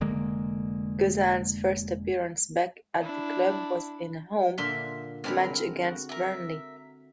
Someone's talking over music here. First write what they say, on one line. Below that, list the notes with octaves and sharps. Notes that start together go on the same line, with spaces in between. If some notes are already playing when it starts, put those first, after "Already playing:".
Guzan's first appearance back at the club was in a home match against Burnley.
F1 D3 G#3 A#3
D4 E4
A#2 D3 E5 F5 C6 F6
D3 G#3 C4 A#4 B5 F6
F#4
A#4 E5